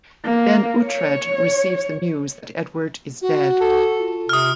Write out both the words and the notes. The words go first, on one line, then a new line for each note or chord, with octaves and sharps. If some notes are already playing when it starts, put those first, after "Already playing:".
Then Uhtred receives the news that Edward is dead.
A#3
C#5
F#4
A4
F4
C3 D#6 F6